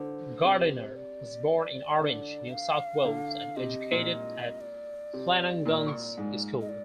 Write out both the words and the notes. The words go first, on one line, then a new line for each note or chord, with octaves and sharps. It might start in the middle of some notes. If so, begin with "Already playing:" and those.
Gardiner was born in Orange, New South Wales and educated at Flanagan's School.
Already playing: D3 C5
C3
D5
D3
F5
D3
C3 D#5
A#2
D5
C3
A#2
G#2
D#5
D5